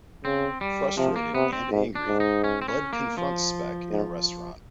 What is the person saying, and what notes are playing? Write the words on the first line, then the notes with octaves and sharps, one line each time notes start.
Frustrated and angry, Bud confronts Speck in a restaurant.
C#3 C4
G3
C3 F3
A#3
C3 B3
C4
G#2
D4
G#2
D#4
C#4
C4
C#4
A#3
F3
G#2